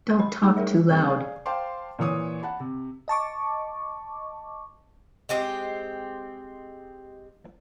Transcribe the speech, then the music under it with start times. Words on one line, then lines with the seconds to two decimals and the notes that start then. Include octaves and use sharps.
Don't talk too loud.
0.19 D#5 B5
0.42 A3 D#4 G#4
0.57 G3 G#4 A#4 C#5 E5
0.89 C3 G3 A3
1.05 G#4 D5 F5
1.46 C5 F5 G5 A5 C6 D6
1.99 A#2 E3 C#5 D#6
2.43 F#5 A5 B5
2.60 C3
3.08 D#5 A5 C#6 D6
5.29 G#3 C4 G4